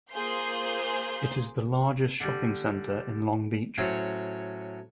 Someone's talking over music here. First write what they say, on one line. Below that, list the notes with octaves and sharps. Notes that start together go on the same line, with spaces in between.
It is the largest shopping center in Long Beach.
A#3 F4 G#4 C5 G6 C7
D3 G3
A2 F#3 C#4 C5 C#5